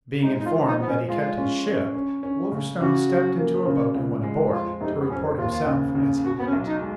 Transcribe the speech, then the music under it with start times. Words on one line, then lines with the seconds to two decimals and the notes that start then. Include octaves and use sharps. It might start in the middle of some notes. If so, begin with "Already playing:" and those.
Being informed that he kept his ship, Wolverstone stepped into a boat and went aboard, to report himself, as he put it.
0.22 G#3 D#4
0.39 D#4
0.44 F4
0.51 F3
0.66 D#4
0.80 F3 B3
0.88 C#4
1.08 G#3 F4
1.37 C#4
1.66 C#4
1.94 C#4
2.23 C#4
2.52 C#3
2.81 C#3 F#4
3.09 F#3
3.38 A#3
3.66 C#3
3.95 C#2
4.23 G#3
4.52 F2 F4
4.81 F1 D#4
4.99 B3
5.09 F2 C#4
5.37 D#2 F4
5.66 C#3
5.95 C#3
6.23 B2 F#4
6.39 B3
6.46 C#4
6.53 B1
6.67 D#4
6.81 G#3